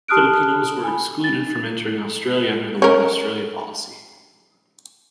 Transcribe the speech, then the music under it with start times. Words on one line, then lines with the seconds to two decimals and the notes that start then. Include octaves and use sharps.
Filipinos were excluded from entering Australia under the White Australia policy.
0.08 G4 A5 D#6 F6 F#6 D7
0.83 G#5 B5
1.24 A6
2.82 C#4 A#4